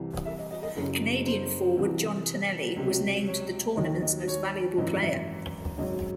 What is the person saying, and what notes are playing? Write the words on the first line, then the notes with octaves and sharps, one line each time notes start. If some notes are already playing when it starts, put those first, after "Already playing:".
Canadian forward John Tonelli was named the tournament's most valuable player.
Already playing: C2 C3 E3
E5
D#5
D#5
D#5
F#1 F#2 C#3
C5
C2 C3 E3
C#2 C3 F#3
C#5
D#2 D#3 F#3 D#5
D#5
C#5
G#1 F#2 E3 D#5
E5
G#1 F#2 C#3 F#3 D#5